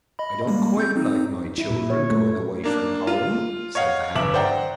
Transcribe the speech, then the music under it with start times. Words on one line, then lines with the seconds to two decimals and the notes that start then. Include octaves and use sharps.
"I don't quite like my children going away from home," said the haggler.
0.19 D#5 B5
0.47 G3 G#3 A#3
0.77 C4 G6
0.96 C4 D#4
1.58 E4
1.70 A#2
1.90 C#5
2.11 A3
2.64 A#3 D4
3.07 F4
3.75 C#5 D#5 F5 F#5
4.15 G1 E5 D6 F#7
4.34 C5 D5 F#5 G5 A#5